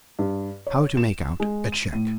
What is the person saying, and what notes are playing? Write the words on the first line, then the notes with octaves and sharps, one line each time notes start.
How to Make Out a Check.
G2
C#5
E7
G#3
D#7
A2